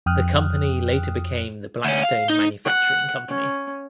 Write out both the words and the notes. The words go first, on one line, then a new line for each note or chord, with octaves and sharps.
The company later became the Blackstone Manufacturing Company.
F2 G5 D#6 F6 F#6
D2 C#4
F5
D#4
F#5
C#4